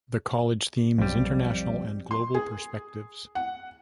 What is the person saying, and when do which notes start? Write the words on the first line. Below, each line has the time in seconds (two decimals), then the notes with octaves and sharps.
The college theme is "International and Global Perspectives".
0.98 B1 F2 G3
2.11 C6
2.34 G#4
3.35 F#5